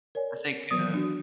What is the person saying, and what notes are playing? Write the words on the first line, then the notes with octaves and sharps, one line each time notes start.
I think, uh
A#4 C#5 D5 G#5
A4 D5
D#3 E3 F#3 B3 D5 D#6
D4 F#4